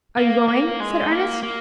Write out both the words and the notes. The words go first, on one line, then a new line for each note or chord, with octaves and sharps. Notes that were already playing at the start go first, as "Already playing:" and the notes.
"Are you going?" said Ernest.
A#3
A#3
G#3
A#3
A#3